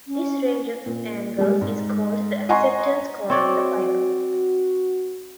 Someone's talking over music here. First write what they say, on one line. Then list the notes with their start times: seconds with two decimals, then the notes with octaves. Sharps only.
This range of angles is called the acceptance cone of the fiber.
0.07 C#4
0.86 A#2
1.38 G3 G#3
1.61 G#2
2.49 D#5 F#5 G#5 A#5 C6 C#6
3.30 C4 F#4 C#5 D5